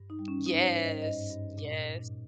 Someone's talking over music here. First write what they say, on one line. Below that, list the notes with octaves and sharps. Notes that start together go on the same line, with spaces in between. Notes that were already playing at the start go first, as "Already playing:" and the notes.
Yes, yes.
Already playing: G2
D#4
G3
C#4
G#2 D#4
C5
C#5
G#2
D#5
G2 D#5
G2
A#2
A#2